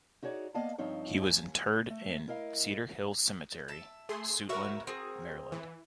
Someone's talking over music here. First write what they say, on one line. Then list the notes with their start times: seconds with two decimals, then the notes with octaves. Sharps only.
He was interred in Cedar Hill Cemetery, Suitland, Maryland.
0.23 D#4 F#4 G#4 C#5 D5
0.54 A#3 B3 D5 D#5 F5 A5
0.78 G2 F3 C4 D#4 C#5
1.21 D#2 G#5
1.90 A3
2.28 E4 A#4 D#5 F5
3.68 E5 A5
4.09 A3 G#4 C6
4.49 F#4 A#4 B4 C#5 E5
4.87 C4 G#4
5.52 E3